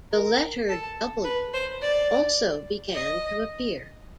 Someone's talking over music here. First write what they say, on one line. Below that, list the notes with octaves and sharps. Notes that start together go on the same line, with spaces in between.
The letter "w" also began to appear.
A#4
A4
B4
C5
D5
D#5